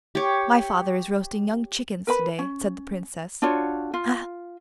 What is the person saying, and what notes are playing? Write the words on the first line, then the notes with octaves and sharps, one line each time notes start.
My father is roasting young chickens to-day!' said the Princess.
G4 C#5
A#4 B4 B5
C#4
D4 F4 F#4 C#5
F4